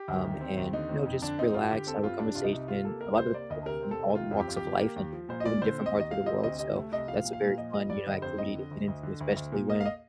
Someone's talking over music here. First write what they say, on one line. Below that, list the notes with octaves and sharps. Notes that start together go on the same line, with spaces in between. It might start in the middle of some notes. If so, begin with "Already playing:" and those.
um, and, you know, just relax, have a conversation, a lotta the people are from all walks of life and even different parts of the world, so that's a very fun, you know, activity to get into, especially when,
Already playing: G4
D2
D#3
C4
D#2
D3 D#4
C4
F2
D3 D4
C4 D#4
G2 F4
D3 G4
C4 A4
G2 F4
C3 D4
C2 F4
D#4
C2
C3 F4
A#3 A4
C2 A#4
C3 C5
A#3 D5
D2 D#5
C3 A#4
C4
A4
C2
D#3 F4
F2
G4
F2 F4
G4
D3
A#3
D#2
F3
A#2 C5
D#5
A#2 D5
D3 C5
C4
D#5
D#2
D#5
C3 F5
C4 D#5
D2 D#5
C3 D#5
A3
C2 D#5
F3 F5
A#2
F5
A#2
F3 D#5
G2 D#5
G2 D5
D3 D#5
F2 C5
F2 D#5
D3
D2
D2
D3
D2
D2
A#2
A#3 D#5
F5
D#5